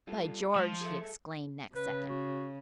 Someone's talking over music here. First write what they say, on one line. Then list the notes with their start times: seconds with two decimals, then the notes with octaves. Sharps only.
"By George!" he exclaimed, next second.
0.07 G3 F4 A4
0.56 F3 G#3
0.81 G#4 A4 E5
1.76 C#3 B4
2.09 F#4